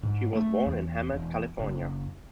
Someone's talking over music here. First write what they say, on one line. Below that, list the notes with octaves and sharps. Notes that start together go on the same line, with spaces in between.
She was born in Hemet, California.
G#2
A3
E2
E1
F#1